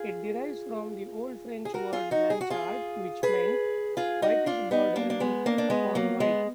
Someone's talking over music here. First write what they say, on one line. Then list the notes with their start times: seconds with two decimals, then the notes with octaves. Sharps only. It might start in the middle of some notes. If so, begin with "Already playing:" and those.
It derives from the Old French word "blanchart" which meant "whitish, bordering upon white".
Already playing: F4 G#4
1.65 G#4
1.74 F#4 A#4
1.93 F4 G#4
2.11 D#4 F#4
2.30 G#4
2.41 F#4
2.50 F4 G#4
3.23 G#4 B4
3.97 F4 G#4
4.22 D#4 F#4
4.46 D4 F4
4.71 B3 D#4
4.96 A#3 D4
5.10 D4
5.20 G#3 B3
5.46 A#3 D4
5.58 D4
5.70 G#3 B3
5.95 F#3 A#3
6.20 G#3 B3